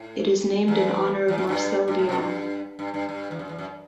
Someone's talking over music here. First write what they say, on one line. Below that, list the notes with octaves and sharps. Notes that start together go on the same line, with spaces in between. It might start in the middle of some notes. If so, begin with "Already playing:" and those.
It is named in honour of Marcel Dionne.
Already playing: A2
E2
E2
F#2
G2
G2
A2
B2
G2
G2
G2
G2
E2
F#2
E2
F#2